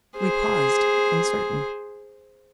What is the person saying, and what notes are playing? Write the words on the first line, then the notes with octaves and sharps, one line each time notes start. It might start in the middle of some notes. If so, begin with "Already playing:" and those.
We paused uncertain.
G#4 C5